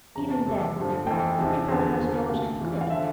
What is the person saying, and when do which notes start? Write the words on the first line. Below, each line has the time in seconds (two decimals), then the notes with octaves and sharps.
Even then we'll be thirty-five thousand dollars to the good.
0.15 E2 C3 F3 A#5
0.31 A5
0.46 E2 C3 F3 A5
0.76 G2 D3 F3
1.07 F2 E3 G5
1.38 E2 C3 F3
1.68 E2 D3 F3
1.99 E2 D3 F3
2.29 D2 C3 F3 F5
2.60 E2 E3
2.81 F5
2.90 D3 F3 E5